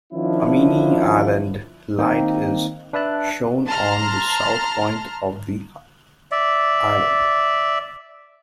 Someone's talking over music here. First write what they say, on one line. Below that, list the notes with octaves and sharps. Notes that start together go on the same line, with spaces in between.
Amini Island Light is shown on the south point of the island.
D#3 F3 C#4 D4 E4 F4
D#3 A#3 C4 D#4
D4 B4 E5 A5 F#6
A5 A#5 C6 F6
D5 E5